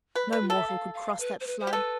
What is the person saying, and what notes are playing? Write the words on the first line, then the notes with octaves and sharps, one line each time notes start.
'No mortal could cross that flood.
B4
B4 D5
F4
A4 E5
F5
F5
B4
C5
B4
C5
G4
A4 B4